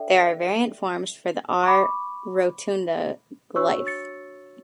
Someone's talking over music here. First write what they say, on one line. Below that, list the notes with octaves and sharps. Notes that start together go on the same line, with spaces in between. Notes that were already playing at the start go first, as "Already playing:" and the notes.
There are variant forms for the "r rotunda" glyph.
Already playing: D4 A4 D5 E5 G5
C#6
B5 D6
D4 F#4 C#5 C#6 E6
A6 C#7